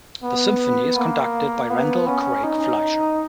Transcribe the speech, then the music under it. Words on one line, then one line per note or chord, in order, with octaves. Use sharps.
The symphony is conducted by Randall Craig Fleischer.
B3
A#3
B3
C#4
D#4